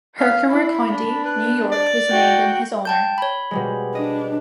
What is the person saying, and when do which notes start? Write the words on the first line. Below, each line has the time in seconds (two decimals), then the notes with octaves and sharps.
Herkimer County, New York was named in his honor.
0.19 F5
0.50 E4 B5
0.92 D4
1.25 B4
1.72 D5
2.10 F#4 G5
2.85 G5 A5 G6
3.18 C#5 B5
3.51 B2 G3 G#3
3.95 D4 D#5